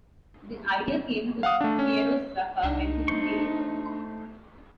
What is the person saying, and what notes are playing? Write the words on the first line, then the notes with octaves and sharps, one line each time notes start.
The idea came to Piero Sraffa when he was reading a book.
F5 F#5 D#6
A3 D4
C#4
C2 D4 D#4
G#3 A3 B3 C5 C#6